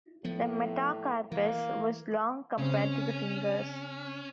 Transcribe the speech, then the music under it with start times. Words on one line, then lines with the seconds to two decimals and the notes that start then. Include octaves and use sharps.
The metacarpus was long compared to the fingers.
0.25 A2 F3 B3
1.32 E3 A#3
2.58 C#3 C4 C#4